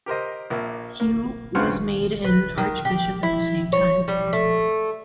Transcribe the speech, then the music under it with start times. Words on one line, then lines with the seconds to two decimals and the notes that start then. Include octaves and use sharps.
He was made an Archbishop at the same time.
0.06 G4 A#4 C5 D#5
0.50 A#1 A#3 E5
1.00 A#3
1.55 G2 C#3 F4 C5 F#5 F6
2.24 B4
2.58 D#3
2.85 G4
3.23 E4
3.73 C#5
4.08 G3
4.33 A3